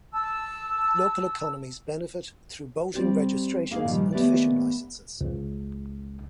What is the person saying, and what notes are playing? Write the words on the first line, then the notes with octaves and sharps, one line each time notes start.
Local economies benefit through boating registrations and fishing licenses.
A5 E6
G3 C4 G4 D5
A#3 D#4 G#4 F5
A#2 D#3 F3 G3
D#2 A3 B3 G4 C#5 D5
C#2